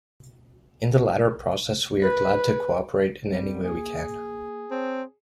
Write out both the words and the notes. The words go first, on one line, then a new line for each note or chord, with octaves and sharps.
In the latter process we are glad to cooperate in any way we can.
B4
G3 C4
A#3 G#4
C4 C#5 A5